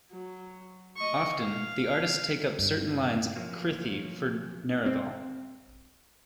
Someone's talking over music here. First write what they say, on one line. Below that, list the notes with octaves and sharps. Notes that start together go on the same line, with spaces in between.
Often, the artists take up certain lines of a Krithi for "neraval".
F#3
D#5 C#6
F5
G2
F3 F#3 A#3 C#4
C4